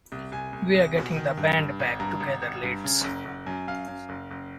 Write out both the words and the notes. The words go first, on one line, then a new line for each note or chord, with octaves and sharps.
We're getting the band back together lads!.
C2
C2 G#5
C2
C2
B2
D#3
G2
G2
G#1
G2 A#5
G#1
G#1
G2
C#3
F#1
F#1
F#2
F#2 F5
F#2
F#1
F#1